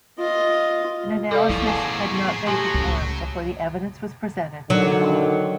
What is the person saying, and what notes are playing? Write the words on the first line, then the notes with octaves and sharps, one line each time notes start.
An analysis had not been performed before the evidence was presented to the court.
F4 D#5
F#2 C3 A4 D5 F5
E2 A2 E3 F3 E4
G#4 C5 G#5 A5
A2 F#3 G4 G#5 C6
C#2
D3 D#3 F#3